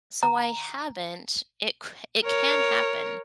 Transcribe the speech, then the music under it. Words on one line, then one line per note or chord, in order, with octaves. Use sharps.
So I haven't it c it can happen,
A#5
A#4 C#5